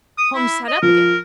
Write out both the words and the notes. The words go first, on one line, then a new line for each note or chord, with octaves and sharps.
Holmes sat up again.
D#6
E4
D#5
F3 A#4